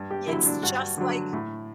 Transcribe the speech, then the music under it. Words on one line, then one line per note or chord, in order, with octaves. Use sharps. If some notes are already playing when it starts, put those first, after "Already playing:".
it's just like
Already playing: G2
G4
D3 F#3 E4
D4
G2 F#4
D3 F#3
A2